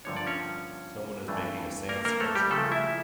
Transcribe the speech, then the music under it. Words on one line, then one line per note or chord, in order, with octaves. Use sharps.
Someone is making a sand sculpture.
G2 D3 F3 A#3 D4 C#5
D5
C#4 C#5
G2 E3 A3 D4
A#3 A#4
A#3 A#4
A3 A4
G3 G4
C#3 F3 A3 A#3 A4
E4 E5